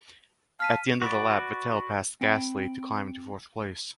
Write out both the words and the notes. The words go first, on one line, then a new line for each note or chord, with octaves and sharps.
At the end of the lap Vettel passed Gasly to climb into fourth place.
F5 A5 F6 B6 D#7
F#4 B4 D5
C4 G5 B5